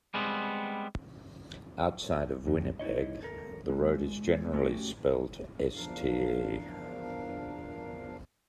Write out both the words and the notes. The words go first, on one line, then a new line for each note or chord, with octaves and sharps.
Outside of Winnipeg, the road is generally spelled Ste.
G3 G#3 B3 C4
F2
D#4 E4 C#5 D#5
A4 A#4
G#3
A3 C#4 F#4 G4
E2 F3 D4 A#4 F5